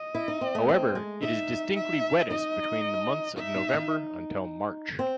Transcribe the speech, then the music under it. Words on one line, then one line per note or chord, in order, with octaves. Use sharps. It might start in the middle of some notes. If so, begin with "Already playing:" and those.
However, it is distinctly wettest between the months of November until March.
Already playing: D#5
E4
D#4
C4
A3
C4
G#3
D#4 E5
E5
D#4 D#5
D#4 E5
D#4
D#4
C4